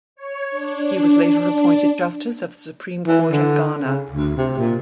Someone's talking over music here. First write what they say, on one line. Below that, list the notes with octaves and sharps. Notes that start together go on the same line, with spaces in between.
He was later appointed justice of the supreme Court of Ghana.
C#5
D4
E3
D3
C#3
D2
C3
A#2